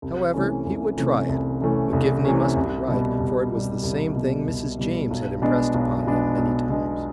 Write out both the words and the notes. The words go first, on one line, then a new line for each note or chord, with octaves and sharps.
However, he would try it; McGivney must be right, for it was the same thing Mrs. James had impressed upon him many times.
C2
C3 E3 A3 C#4
C2
C3 E3 A3 C#4
C2
C3 E3 A3 C#4
C2
C3 E3 A3 C#4
C2
B2 G3
C2
B2 G3
C2
B2 G3
C2
B2 G3
B1
B2 G#3 B3 D4
B1
B2 G#3 B3 D4
B1
B2 G#3 B3 D4